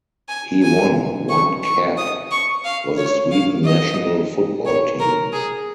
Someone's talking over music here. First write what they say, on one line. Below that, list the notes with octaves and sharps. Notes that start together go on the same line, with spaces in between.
He won one cap for the Sweden national football team.
G#5
G#5
C#6
C#6
D#6
C#6
F5
C#5
F5
D#5
C#5
A#4
G#4